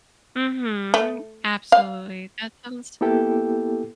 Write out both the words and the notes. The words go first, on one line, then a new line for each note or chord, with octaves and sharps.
Mhm, absolutely, that sounds so cool.
A3
F5
A#3 B3 E4 G4 A4 G5